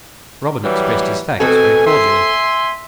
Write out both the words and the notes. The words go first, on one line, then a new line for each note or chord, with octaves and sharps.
Robin expressed his thanks very cordially.
E3 F#3 G3
B2 C4 A4 G#5
E5 G#5 C6